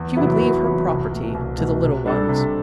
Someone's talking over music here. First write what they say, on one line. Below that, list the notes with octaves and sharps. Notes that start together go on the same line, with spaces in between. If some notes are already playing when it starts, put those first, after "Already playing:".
She would leave her property to the little ones.
Already playing: E2
C3 F#3 B3 E4
E2
C3 F#3 B3 E4
C2
B2 A3
C2
B2 A3
C3
G3 D4 A4
C3